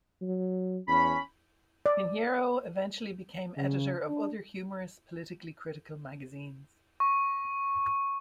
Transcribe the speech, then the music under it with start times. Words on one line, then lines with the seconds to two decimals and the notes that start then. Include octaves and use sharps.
Pinheiro eventually became editor of other humorous, politically critical magazines.
0.22 F#3
0.88 E2 C#4 B5
1.86 D5
3.57 C#3
4.08 D4
7.00 C#6